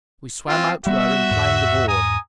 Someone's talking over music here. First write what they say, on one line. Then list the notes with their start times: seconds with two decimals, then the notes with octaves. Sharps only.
We swam out to her and climbed aboard.
0.48 C4 C#4 F4
0.86 G3 G#3 B3 F#4 E5
1.31 E2 G#2
1.88 G#5 A#5 D#6